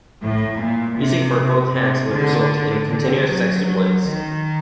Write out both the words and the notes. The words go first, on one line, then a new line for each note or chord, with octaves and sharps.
Using for both hands would result in continuous sextuplets.
A2
A#2
C3
C3
C3
D3
D3
F#3
F#3
D#3